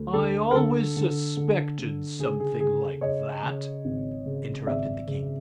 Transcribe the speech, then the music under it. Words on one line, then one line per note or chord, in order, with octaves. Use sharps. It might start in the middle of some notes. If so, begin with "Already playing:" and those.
"I always suspected something like that," interrupted the king.
Already playing: D2
D3 A4
A#4
D3 A4
D3
D3
D3
C#3 G#4
G#4
C#3 G#4
A4
C#3 C#5 D#5
C#3
G#1
C#3
G#1 D5 E5
C#3